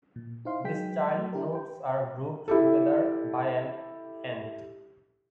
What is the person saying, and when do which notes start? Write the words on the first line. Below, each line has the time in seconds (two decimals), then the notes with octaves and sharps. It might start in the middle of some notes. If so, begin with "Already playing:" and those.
These child nodes are grouped together by an "and".
0.16 A#2
0.45 D#4 E4 C5 F5 C6
0.64 F#3 G#3 D#4 G#4 G5 B6
1.15 F#3 A3
1.33 E4 G4 A#4
1.55 G5
2.48 E4 G4 A4